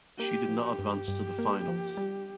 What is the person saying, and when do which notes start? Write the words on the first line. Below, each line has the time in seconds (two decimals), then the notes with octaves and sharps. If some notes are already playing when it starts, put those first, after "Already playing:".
She did not advance to the finals.
0.19 A#3 G4
0.49 F3
0.64 G4
0.79 G2
1.08 G2
1.38 A#3
1.68 F3
1.97 G3